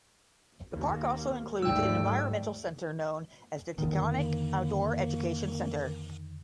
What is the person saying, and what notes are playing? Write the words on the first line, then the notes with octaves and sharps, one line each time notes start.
The park also includes an environmental center known as the Taconic Outdoor Education Center.
D#2 A#3
D#2 G#2 G3 A3 G5 E6
F2 D3 D#3 A#3